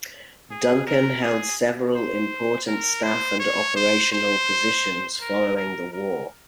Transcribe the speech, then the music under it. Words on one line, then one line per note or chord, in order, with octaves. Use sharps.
Duncan held several important staff and operational positions following the war.
G#4
A#4
G#4
C5
A#4
C5
C#5
C5
C5
A#4
A#4
A#4